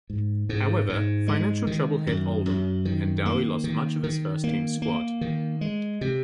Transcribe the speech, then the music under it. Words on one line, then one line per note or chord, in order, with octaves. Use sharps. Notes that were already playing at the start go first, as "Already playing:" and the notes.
However, financial trouble hit Oldham and Dowie lost much of his first team squad.
G#2
G#2
G#2
G#3
D#3
F#2
F#2
D#3
A#3
D#3
D#3
A#3
A#3
D#3
G#3
C3